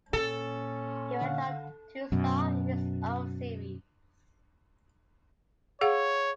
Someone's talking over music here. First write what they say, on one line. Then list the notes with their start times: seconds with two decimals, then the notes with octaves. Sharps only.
He went on to star in his own series.
0.13 A#2 C#4 A4
1.21 D3 F5 F#5
2.12 F#2 B2
5.81 G#4 C#5 F5 F#5